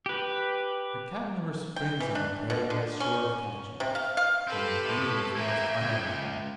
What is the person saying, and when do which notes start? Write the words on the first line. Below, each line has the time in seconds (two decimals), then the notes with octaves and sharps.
A cat never springs on her prey unless sure of catching it, and her aim is most unerring.
0.06 G4 B4
1.76 G5
2.00 E3
2.15 D4
2.50 B2
2.70 D3
3.00 C#4
3.80 C3
3.95 F5
4.17 F5
4.47 C4 G4 A4 B4
4.85 A2
5.36 E3 A#3 E5 G5 G#5
5.81 C#2